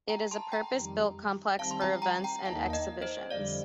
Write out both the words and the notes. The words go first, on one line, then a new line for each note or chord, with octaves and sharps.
It is a purpose-built complex for events and exhibitions.
G5 A#5
A5 C6
G5 A#5
F2 D#3 G3
D#3 G3 C4 F5 A5
C6
G5 A#5
G5 A#5
G5 A#5
D#2 D#3 A#3 D#4 F5 A5
F5
D#5 G5
C5 D#5
F2 D3 G3 D5 F5